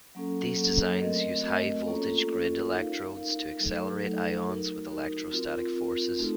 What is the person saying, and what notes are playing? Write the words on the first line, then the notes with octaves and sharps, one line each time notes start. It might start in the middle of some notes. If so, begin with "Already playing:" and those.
These designs use high-voltage grid electrodes to accelerate ions with electrostatic forces.
F#3 A#3 C#4 A4
F#3 A#3 C#4 A4
A3 C4 F#4 A#4 D#5
A3 C4 F#4 A#4 D#5
A#3 C#4 F4 A4 C#5
A#3 C#4 F4 A4 C#5
D#4 A#4 F5
D#4 A#4 F5
F#3 A3 D#4 A4
F#3 A3 D#4 A4
D#4 F#4 A#4
D#4 F#4 A#4
C4 F4 A#4
C4 F4 A#4
A3 C4 D#4 F#4 A4